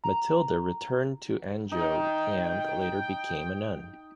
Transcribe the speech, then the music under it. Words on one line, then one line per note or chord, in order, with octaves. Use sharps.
Matilda returned to Anjou and later became a nun.
A#5
D#4 G5